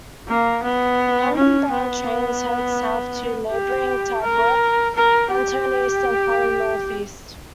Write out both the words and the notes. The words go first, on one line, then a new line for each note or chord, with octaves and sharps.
London-bound trains head south to neighbouring Tadworth, then turn east and finally north-east.
A#3
B3
C#4
B3
G4
A#4
A#4
G4